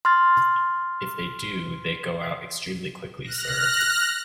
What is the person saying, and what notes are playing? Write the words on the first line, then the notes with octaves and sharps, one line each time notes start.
If they do, they go out extremely quickly, sir.
C6 F6 A6
F6 F#6 A#6